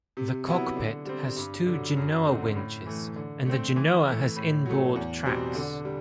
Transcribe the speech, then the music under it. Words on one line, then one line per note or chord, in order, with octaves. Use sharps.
The cockpit has two genoa winches and the genoa has inboard tracks.
C3
F#3 B3 E4
D3
G3 C4
G2
D3 F#3
F#2
D3 A3 C4 F#4
A2
E3 A3
D3
A3 C4
E3
A3 E4
A2
F#3 A3
E2
B2 G3 C4
D3
G3